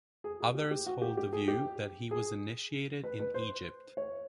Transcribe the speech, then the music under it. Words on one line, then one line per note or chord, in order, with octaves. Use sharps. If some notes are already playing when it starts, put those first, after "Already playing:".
Others hold the view that he was initiated in Egypt.
G#4
G#4
G4
G4
F#4
G4
G4
G#4
G4
G#4
B4
B4
C5
C#5